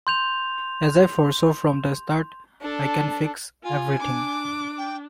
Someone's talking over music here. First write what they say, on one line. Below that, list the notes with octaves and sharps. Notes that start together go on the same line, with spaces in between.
As I foresaw from the start, I can fix everything.
C6 G6 F7
D4 A4
F4 G#5
D4 D6
G5